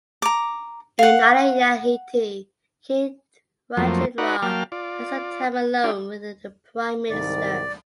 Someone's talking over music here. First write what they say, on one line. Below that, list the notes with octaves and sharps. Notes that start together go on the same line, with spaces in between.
In Narayanhiti, King Rajendra had some time alone with the Prime Minister.
A#5 D6
F5 F#5
F2 F3 F#3 A3 A#3 C5
D#4 F#4 B4 D5 F#5 A#5
F#3 A#3 F5 G5 A5 F6
F4 D5
D4 F4 G4 D5
C2 G#2 D#3 D5